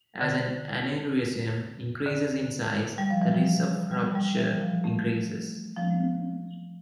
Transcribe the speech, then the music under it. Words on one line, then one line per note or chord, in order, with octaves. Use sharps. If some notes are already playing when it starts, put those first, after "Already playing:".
As an aneurysm increases in size, the risk of rupture increases.
D3
D3
G3
F3
E3
F3
G3
G3
E3
F3
A3
F3